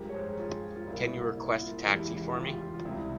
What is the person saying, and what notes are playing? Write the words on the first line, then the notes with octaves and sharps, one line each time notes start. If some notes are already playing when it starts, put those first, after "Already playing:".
Can you request a taxi for me?
Already playing: G2 F3 G#3 G4 A#4
C#5
G#4 C5
F4 G#4
F4
C2 A#2 G3 E4
E4
F4
E2 C#3 F3 G#3 E4 G4
E4 G4
F4
G4
F4
F4
C#2 C3 G3 E4